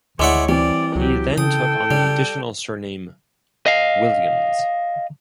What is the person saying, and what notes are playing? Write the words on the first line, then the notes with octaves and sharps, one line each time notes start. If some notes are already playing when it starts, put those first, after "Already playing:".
He then took on the additional surname Williams.
D2 G#3 E4 C#5 D5 F#5 D6
E3 G3 C4 D5
C#2 F#3 G4
C#3 A4 G5 D#6
C#3 G3
D#5 F5